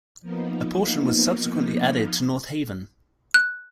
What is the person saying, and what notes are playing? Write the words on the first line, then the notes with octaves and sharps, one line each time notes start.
A portion was subsequently added to North Haven.
F3 A#3 B3 D#4
F#6